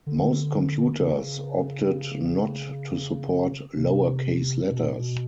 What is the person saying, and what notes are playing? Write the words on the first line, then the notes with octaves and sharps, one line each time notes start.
Most computers opted not to support lower-case letters.
D3
C#3
C3
B2
A#2
B2